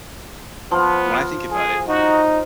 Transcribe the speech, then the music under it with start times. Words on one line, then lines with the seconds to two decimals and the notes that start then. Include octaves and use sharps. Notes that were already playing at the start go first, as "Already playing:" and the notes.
when I think about it, uh y you
0.71 F3 B3
1.51 G#4
1.88 D#4 F#4